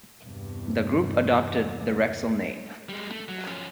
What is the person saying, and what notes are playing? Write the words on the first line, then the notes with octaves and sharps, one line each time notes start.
The group adopted the Rexel name.
E2 G2 C3
G3 G#3
A3
F#3
F3 C#4